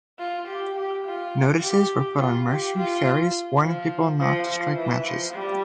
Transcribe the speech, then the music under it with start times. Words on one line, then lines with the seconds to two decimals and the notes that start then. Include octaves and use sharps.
Notices were put on Mersey ferries warning people not to strike matches.
0.19 F4
0.48 G4
0.76 G4
1.05 F4
1.62 G4
2.19 F4
2.48 G4
2.76 F4
3.62 F3
4.20 F3
4.48 F3
4.76 E3
5.05 F3
5.34 G3